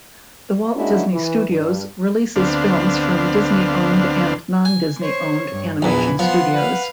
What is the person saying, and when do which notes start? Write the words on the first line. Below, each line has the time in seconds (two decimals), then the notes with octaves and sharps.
The Walt Disney Studios releases films from Disney-owned and non-Disney owned animation studios.
0.75 G#3 A#3 C#4 D4 E4 F#4
1.12 E3
1.50 G2
2.36 D2 B3 C4 D4 F5
4.65 G#5
5.01 C5 C#5
5.51 G2
5.82 A#1 E2 E3 B4 G#5
6.19 F3 B3 F#5 C6
6.53 B4 F5